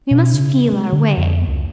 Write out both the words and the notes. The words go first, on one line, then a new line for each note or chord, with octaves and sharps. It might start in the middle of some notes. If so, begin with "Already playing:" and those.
We must feel our way.
B2
C#3
G#3
D3
F2
C#2